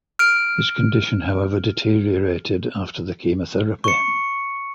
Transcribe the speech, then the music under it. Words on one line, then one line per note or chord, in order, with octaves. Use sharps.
His condition however deteriorated after the chemotherapy.
F6 D7
C#6 C#7